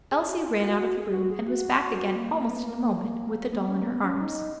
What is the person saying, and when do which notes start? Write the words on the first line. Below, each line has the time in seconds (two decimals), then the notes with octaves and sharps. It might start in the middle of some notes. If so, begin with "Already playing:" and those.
Elsie ran out of the room and was back again almost in a moment, with the doll in her arms.
0.11 G#4
0.29 F#4
0.45 F4
0.62 F#4
0.80 F#4
0.96 G#4
1.13 F#4
1.31 G#4
1.47 F#4
1.82 F#4
2.16 A#3
2.33 A#3
2.50 B3
2.67 A#3
3.53 B3
3.69 C#4
3.82 A#3
3.86 B3
4.04 C#4
4.20 D#4